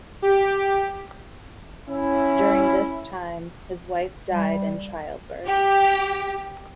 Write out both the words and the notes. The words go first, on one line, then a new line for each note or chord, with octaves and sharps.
During this time his wife died in child birth.
G4
C#4 E4
G3
G4